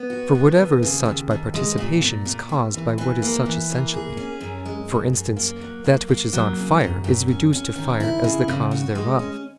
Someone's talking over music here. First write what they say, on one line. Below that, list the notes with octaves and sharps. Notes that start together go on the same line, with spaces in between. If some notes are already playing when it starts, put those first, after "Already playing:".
For whatever is such by participation is caused by what is such essentially; for instance, that which is on fire is reduced to fire as the cause thereof.
Already playing: B3
F#4
B3
D#2
C#3
D#2
D#2
G#3
A#2
A#2
A#2
D#2
E3
E3
A#3
E3
A#3
G#4
C#4
F#2
G#3
F#2
F#2
A#3
F#3
A#3
A#3
F#3
C#3
F#2
F#2
C#4
C#4
D#3
E4
C#3
C#3
F#4
G#3
C#4